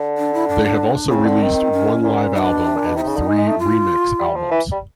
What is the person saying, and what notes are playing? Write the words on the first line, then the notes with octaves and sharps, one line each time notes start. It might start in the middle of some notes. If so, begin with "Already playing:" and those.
They have also released one live album and three remix albums.
Already playing: D3
D4
E4
D4
C#3 C4 C#4
D3
D#3
C#4
A#2
B2 D4 D#4
C3
A#2
B2
C3 E4
D#4
C#3
D3
G#3
G#3
A3
F4
G3
F3
E3
G3